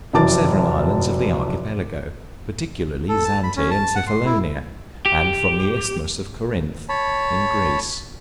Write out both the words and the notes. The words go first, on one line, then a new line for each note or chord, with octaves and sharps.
From several islands of the Archipelago, particularly Zante and Cephalonia; and from the Isthmus of Corinth, in Greece.
F1 F#2 E3 A5 D6 A6
A4
A5
B5
C#4
A5
F#5
C6
E4
G4
C#5 A5 B5